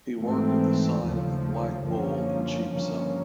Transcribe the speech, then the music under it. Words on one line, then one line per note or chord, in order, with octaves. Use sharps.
He worked at the sign of the Black Bull in Cheapside.
G#2 E3 A3 C4
D#2 C#3 F3 A3
F#2 D3 F3 A#3 C#4
G2 D3 F3 A#3 C#4